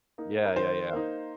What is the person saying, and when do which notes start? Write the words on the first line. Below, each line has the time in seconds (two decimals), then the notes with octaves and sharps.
Yeah, yeah, yeah.
0.18 A#3 D#4
0.45 A#4
0.56 D#3 C5
0.93 A#3 D#4